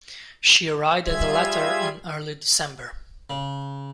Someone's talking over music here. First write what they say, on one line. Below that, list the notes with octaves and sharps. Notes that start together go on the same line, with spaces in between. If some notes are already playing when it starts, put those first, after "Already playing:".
She arrived at the latter in early December.
G3 F4 G#4 E5 G#6
C#3